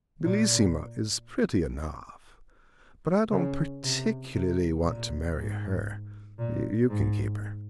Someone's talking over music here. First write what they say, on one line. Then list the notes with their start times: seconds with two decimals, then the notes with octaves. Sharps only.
"Bellissima is pretty enough, but I don't particularly want to marry her--you can keep her."
0.24 A#2
3.31 C#3
3.83 C3
4.33 C3
4.85 A#2
5.35 G#2
6.38 A#2
6.90 G#2